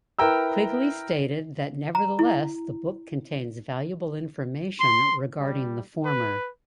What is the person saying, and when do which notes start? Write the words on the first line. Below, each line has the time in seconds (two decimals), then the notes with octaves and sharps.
Quigley stated that nevertheless the book contains valuable information regarding the former.
0.19 E4 A#4 B4 G5 A#5 E6
1.95 A#5
2.19 E4
4.80 C6
5.39 G3
6.05 B4